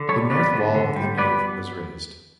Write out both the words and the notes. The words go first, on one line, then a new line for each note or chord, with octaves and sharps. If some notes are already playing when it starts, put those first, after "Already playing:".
The north wall of the nave was raised.
Already playing: D3
G3 A4 C#5
B3 B4 D5
D3
D3
G3
B3 B4 D5